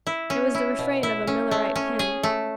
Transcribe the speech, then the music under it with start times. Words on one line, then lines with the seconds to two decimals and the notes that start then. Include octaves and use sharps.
It was the refrain of a Millerite hymn.
0.07 E4
0.30 C#4
0.54 E4
0.79 B2
1.03 E4
1.27 C#4
1.51 A3
1.76 C#4
1.99 G#4
2.23 A3